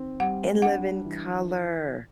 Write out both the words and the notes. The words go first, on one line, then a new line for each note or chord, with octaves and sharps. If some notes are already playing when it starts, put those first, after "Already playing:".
In Living Color.
Already playing: D#3 C4
G3 F#5
D4 F#5
E3